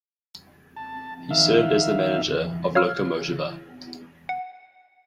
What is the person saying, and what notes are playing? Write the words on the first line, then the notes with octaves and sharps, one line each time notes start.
He served as the manager of Lokomotiva.
A5
D#3 E5 F5
C#5 F5 E6 F6
F#5